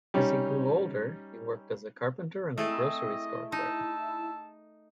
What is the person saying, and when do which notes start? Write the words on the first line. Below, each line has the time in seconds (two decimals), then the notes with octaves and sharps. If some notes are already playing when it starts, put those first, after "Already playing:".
As he grew older, he worked as a carpenter and a grocery store clerk.
0.14 G3 C#4 D#4
2.58 A3 C4 E4 G#4 A4 D#5
3.52 D#4 A5 E6